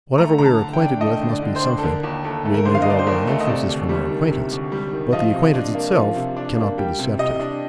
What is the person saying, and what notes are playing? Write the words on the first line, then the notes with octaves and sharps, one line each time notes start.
Whatever we are acquainted with must be something; we may draw wrong inferences from our acquaintance, but the acquaintance itself cannot be deceptive.
A3 A#5
D3 A#5
A5
D3
G5
D4
A3 D#5
D3
D5
D3
C5
D4
A4
D3 A#4
D#2
D#2 A4
A3
A#4
D3 C5
F5
D#5
D#2 D5
C5
D#2 A#4
A3
D#5
C3 D5
D2
G3
D#3
C3
D2
G3
D#3
F3 D#5
C3
D4
A#3
F3
C3
D4
A#3
G3 G5
C3
C3 D#5
D4